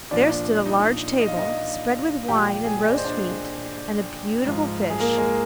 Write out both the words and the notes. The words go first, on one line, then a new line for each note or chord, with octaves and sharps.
There stood a large table, spread with wine and roast meat and a beautiful fish.
A#2 F3 D4 D5
D#4 D#5
D#5
F5
D#4 D#5
A#2 F3 G4 G5
G4 G5
G#4 G#5
D#5
D5
C5
D4 D5
G#2 F3
G#4
A#3 A#4
G#3 G#4